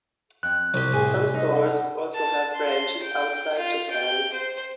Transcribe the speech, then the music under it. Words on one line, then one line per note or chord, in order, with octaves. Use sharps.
Some stores also have branches outside Japan.
F2 F#6
C2 G4
A2 G#4 G#5
D#4
A4 D5 F#5
A5
C6
G5
F4
G5
C5